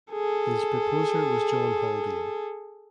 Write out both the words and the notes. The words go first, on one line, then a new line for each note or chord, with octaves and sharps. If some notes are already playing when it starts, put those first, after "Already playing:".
His proposer was John Haldane.
G#4 A4